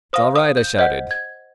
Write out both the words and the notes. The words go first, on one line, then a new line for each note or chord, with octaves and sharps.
"It's all right," I shouted.
C5 F5 D#6
D#6
G6
C5 D#5 F#5 G6
G#6